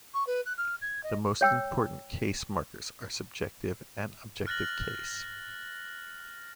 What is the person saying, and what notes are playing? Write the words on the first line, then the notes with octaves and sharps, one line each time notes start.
The most important case markers are subjective and objective case.
C#6
B4
F#6
F6
G#6
D#5
C#5 G5 E6
F6 F#6 A6 A#6 F#7